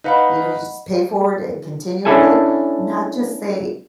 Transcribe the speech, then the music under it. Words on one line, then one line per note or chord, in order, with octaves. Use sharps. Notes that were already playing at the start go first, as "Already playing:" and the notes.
You know, you just pay it forward and continue with it, not just say,
D#4 B4 D#5 F5 F#5 B5
C#4 D4 E4 A4 G#5